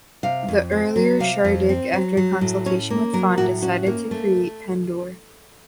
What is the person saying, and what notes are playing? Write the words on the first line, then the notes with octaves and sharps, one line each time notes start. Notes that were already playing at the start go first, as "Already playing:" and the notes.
The earlier Shardik, after consultation with Fawn, decided to create Pendor.
C3 F5
F2
C4
F#3
C3 F5
F2
C4
F#3
F#3
A2
C#4 C#5
A#3
F#3 A#4
A2 F#4
C#4 F#4
A#3
A3